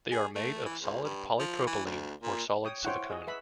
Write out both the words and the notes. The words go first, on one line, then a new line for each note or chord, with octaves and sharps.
They are made of solid polypropylene or solid silicone.
G#4
A3
E3
C#2
G2
F3
E3
D2
A#2
C#5 G5 D#6
E4 C5 C#5 F#5 G5
G#4 D#5
B4 E5 B5